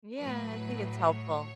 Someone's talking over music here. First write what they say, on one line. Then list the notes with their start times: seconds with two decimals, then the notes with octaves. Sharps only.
Yeah, I think it's helpful.
0.18 A2 F#3 B4
0.98 C#5